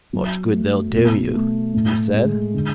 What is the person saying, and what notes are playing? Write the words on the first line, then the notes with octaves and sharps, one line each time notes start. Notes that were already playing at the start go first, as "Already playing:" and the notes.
"Much good they'll do you!" he said.
F#3
A3
B2
A3
A2
G#3
D3